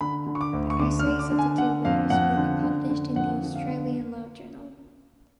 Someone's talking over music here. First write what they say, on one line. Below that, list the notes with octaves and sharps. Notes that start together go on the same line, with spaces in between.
The essays of the two winners will be published in the Australian Law Journal.
D3 B5
D3
C#6
D6
D2
C#6
D3 D6
F6
D3
D6
D3
G#5
D3 F#5
F2 F5
F2 F#5
D3
D3
D3
F2 F#5
D3
F5
D3